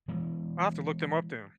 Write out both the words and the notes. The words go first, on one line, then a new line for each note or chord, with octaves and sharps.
I'll have to look them up, then.
E3 G#3 B3